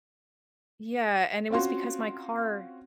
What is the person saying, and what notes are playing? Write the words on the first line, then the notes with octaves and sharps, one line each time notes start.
Yeah, and it was because my car
C4 C#4 F4 F#4 C6